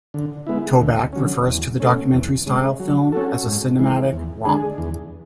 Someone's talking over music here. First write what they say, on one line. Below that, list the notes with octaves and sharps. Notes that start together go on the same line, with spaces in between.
Toback refers to the documentary style film as a cinematic romp.
D3
G#3 B3 E4
D2
D3 F#3 C#4
E2
B2 A3 C#4
E2
C#3 G#3
F#3
C#4 F#4 A4
G#2
E3 G#3
E2
D3 G#3 D4 G#4
E2